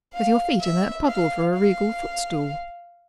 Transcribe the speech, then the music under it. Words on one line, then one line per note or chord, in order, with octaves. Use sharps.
'With your feet in that puddle for a regal footstool!
F5
E5
F5
F5